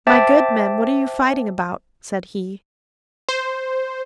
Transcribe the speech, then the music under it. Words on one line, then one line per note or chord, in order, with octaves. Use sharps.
'My good men, what are you fighting about?' said he.
C5 E5 G5 A5 D6 A6
C5